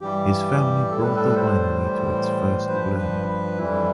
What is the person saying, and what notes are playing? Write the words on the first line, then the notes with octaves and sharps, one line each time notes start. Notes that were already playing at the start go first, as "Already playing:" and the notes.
His family brought the winery to its first bloom.
G2 E3 G3 G4
A2 G3 A4
B4
A4
B4
C5
A2 E3 G3
G2 F3 B4
B4
B4
F2 E3 G3 E4